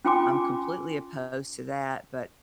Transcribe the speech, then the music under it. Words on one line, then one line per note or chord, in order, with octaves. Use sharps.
I'm completely opposed to that, but
C#4 F4 G5 G#5 C6 D6